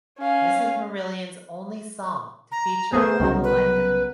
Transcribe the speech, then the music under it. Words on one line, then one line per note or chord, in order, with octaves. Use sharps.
This is Marillion's only song to feature a balalaika.
C#4 F5
A#5
A3 B3 G#4 A#4 C5
C2 C#3 F#3
B4